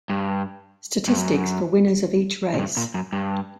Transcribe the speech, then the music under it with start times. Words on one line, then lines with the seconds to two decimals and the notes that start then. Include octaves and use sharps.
Statistics for winners of each race.
0.10 G2
1.08 G2
1.17 F#2
2.54 A#2
2.59 G2
2.77 A#2
2.94 F#2
3.13 G2